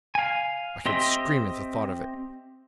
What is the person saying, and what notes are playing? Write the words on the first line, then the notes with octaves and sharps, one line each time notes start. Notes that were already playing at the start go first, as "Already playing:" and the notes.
I could scream at the thought of it.
F5 G#5
C4 G4 D#5 E5 C6